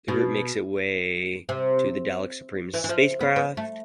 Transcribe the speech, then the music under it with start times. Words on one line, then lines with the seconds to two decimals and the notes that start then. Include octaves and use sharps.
The group makes its way to the Dalek Supreme's spacecraft.
0.08 B2
1.49 C3
2.74 E3
2.84 E3
2.89 F3
3.21 B3
3.36 B3
3.57 A3